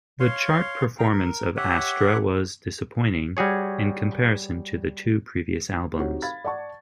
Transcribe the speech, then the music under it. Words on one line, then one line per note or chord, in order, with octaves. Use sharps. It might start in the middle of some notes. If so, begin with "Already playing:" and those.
The chart performance of "Astra" was disappointing, in comparison to the two previous albums.
C#5 F5 C6
D#4 F5 G5 A#5
A#4
G4 C#5 E5 F#5
G3 F#4 G#4 C#5
C4 D#4 F#4 G4 C#5
F5 B5 G#6 A6
D5 F#5 A5 C#6